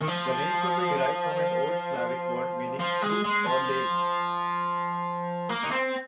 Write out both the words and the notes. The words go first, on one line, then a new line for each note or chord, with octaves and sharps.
The name could be derived from an Old Slavic word meaning "crooked" or "lame".
D#3
F3
F3
G#3
G#3
F3
A#3
D#4
C4